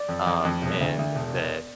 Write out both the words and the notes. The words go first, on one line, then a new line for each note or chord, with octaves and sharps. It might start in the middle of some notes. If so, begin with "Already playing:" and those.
um, and the
Already playing: D5
F2
F2
F2
E1
D2
D2
E1
E1